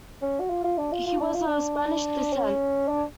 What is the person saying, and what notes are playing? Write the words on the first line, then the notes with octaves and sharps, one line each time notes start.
He was of Spanish descent.
C#4
F#4
F4
F4
D4
F4
F4
D4
F4
D4
C#4
D4